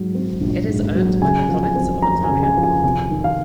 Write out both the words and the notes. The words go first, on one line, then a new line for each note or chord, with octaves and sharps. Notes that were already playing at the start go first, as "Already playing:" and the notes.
It is owned by the Province of Ontario.
Already playing: G#2 F#3
C4
A#1
G#2
F#3
C#3 G#5
F3
G#5
C4
F2 A#5
G#5
C#3
G#5
F3
G#5
C3 G#5
D#3
F5